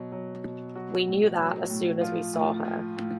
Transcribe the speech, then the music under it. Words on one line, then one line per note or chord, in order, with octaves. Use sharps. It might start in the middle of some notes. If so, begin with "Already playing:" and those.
We knew that as soon as we saw her.
Already playing: B2 F#3
F#3
B2
F#3 F#4
A2
F#3
A2
F3 F4
A2
F3
A2